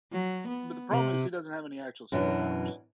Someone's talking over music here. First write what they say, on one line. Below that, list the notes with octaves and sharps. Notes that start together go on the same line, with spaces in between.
But the problem is he doesn't have any actual superpowers.
F#3
B3
C3
F#2 B2 E3 D4